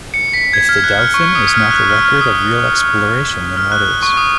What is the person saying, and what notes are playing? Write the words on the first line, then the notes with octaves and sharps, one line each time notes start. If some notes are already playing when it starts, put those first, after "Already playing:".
If the Dauphin is not the record of real exploration, then what is it?
C#7
B6
G#6
F6
F#6
F6
C#6
D#6
F6
F#6
F6
F6
F6
D#6
F6
F#6
C#6
D#6